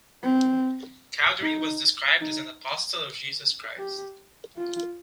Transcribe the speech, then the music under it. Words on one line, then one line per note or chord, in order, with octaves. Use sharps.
Cowdery was described as "an Apostle of Jesus Christ".
C4
D#4
D#4
G4
F4